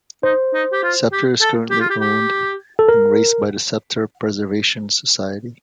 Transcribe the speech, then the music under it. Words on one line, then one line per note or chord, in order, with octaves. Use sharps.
"Sceptre" is currently owned and raced by the Sceptre Preservation Society.
D#4 C5
D#4
G4
F4
G4
A4
G4
F4
G4
G4
A4
A#4